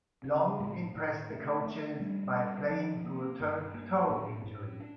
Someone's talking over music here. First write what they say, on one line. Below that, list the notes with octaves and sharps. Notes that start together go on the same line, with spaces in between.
Long impressed the coaches by playing through a turf toe injury.
C#3
A2
A2
A3
A3
G3
C#4
F3
A#3
G2
A#3
A2
A2
D4